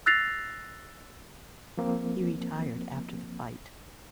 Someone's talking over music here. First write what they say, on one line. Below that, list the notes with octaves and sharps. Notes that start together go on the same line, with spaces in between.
He retired after the fight.
E6 F#6 A6 A#6 C7 F7
F3 A#3 C4